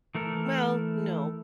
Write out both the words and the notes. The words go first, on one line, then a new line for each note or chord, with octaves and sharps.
Well, no.
E3 A3 A4 A#4